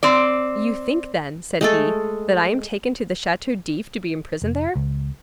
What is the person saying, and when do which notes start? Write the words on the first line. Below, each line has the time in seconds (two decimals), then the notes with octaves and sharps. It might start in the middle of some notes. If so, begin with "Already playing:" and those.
"You think, then," said he, "that I am taken to the Chateau d'If to be imprisoned there?"
0.03 C4 D5
1.61 G#3 A3 A4
4.42 F1
4.76 C#2